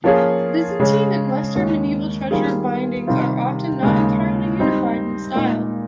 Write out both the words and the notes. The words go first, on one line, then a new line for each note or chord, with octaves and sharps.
Byzantine and Western medieval treasure bindings are often not entirely unified in style.
F3 A#3 C#4 F4 G#4
C#3 G#3 C#4 G#4
D#2 D#3 G#3 C#4
D#3 G3 A#3 F4 G#4
C3 D#3 G3 C4 F4
D#2 C#3 G#3
G3 C4 D#4
A#2 G#3 D#4